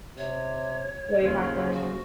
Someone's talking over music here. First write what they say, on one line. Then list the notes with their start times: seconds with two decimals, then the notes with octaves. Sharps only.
what do you have going on.
0.18 C3 C#5
1.21 D#2 C#3 F3
1.72 F#4